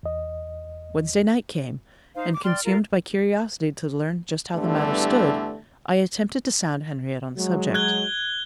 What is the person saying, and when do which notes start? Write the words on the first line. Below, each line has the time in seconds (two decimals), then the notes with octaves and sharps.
Wednesday night came, and, consumed by curiosity to learn just how the matter stood, I attempted to sound Henriette on the subject.
0.03 E2 D#5
2.16 D#4 C5 F5
2.32 D6
2.44 D5 G5 C6 F6
2.64 F4 A4 A#4
4.55 E2 G2 D3 E3 G3 A3
7.37 F#3 G#3
7.75 F#6 G#6 G7